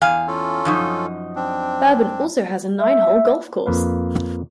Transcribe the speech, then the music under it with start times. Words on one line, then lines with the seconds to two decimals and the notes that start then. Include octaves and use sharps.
Bhurban also has a nine-hole golf course.
0.01 E2 F5 G#5
0.27 C#4 F4 A4
0.65 F#2 F3 D#4
1.36 C4 D4
2.81 E5
3.66 F2 A#3 B4 F5